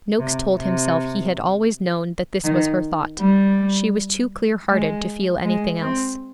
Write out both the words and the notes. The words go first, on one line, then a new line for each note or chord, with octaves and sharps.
Noakes told himself he had always known that this was her thought; she was too clear-hearted to feel anything else.
C3
C3
D#3
G3
G#3
G#3
C4